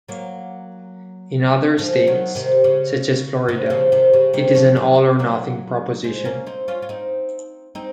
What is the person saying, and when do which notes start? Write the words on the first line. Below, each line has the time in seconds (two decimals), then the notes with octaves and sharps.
In other states, such as Florida, it is an all or nothing proposition.
0.09 F#3 A#3
1.78 F3 G#3
2.07 D#3 F#3
2.35 C3 D#3
2.64 C#3
3.49 C3 D#3
3.70 C#3 F3
3.92 C3 D#3
4.13 C#3
4.34 C3 D#3
4.55 C#3 F3
4.77 D#3 F#3
5.19 F#3 A#3
6.04 G#3 C4
6.25 A#3 C#4
6.46 C4 D#4
6.68 C#4 F4
6.82 F4
6.89 C4 D#4
7.75 C4 D#4